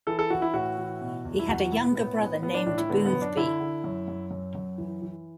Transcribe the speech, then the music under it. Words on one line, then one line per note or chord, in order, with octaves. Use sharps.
He had a younger brother named Boothby.
E3 A4
A4
E3 F#4
E4
A2 F#4
E3
B2
E2
E4
E2 F#4
F#4
B2 E4
B3
A2 B3
A2 B3
E3 B3
D4
A2 D4
E4
D3 B3
B3
F#2
D4
D3 E4
D3
F#2
F#2
F#2
F#2
E3
E3